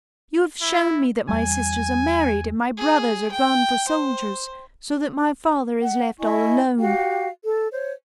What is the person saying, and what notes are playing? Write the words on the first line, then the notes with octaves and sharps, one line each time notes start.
You have shown me that my sisters are married, and my brothers are gone for soldiers, so that my father is left all alone.
E4
E2 G3 G#5
G#4
G5
C5
F#5
E4 D#5 G#5 C#6
F#4 G4 F5 G5
A4
C5 C#5